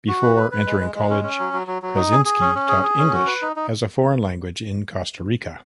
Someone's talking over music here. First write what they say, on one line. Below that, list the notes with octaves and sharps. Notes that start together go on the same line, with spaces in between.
Before entering college, Krasinski taught English as a foreign language in Costa Rica.
F#4
B4
B4
B4
G#3
G#3
G#3
C#4
C#4
F#3
F#3
F#3
F#3
D#4
G#4
G#4
C#4
C#4
G#4
G#4
C#4
F#4
B4
D#4
D#4